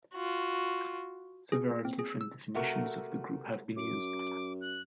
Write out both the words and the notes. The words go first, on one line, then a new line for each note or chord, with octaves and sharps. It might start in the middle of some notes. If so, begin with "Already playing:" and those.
Several different definitions of the group have been used.
F4 F#4
G#4
A#3
C4
G#4
E6
C3 A3 F#4 A#4
F#2 D6
F#6